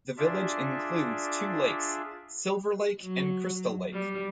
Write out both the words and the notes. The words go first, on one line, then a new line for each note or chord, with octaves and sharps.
The village includes two lakes: Silver Lake and Crystal Lake.
D4 F4 G#4 D5 E5
F#3
G3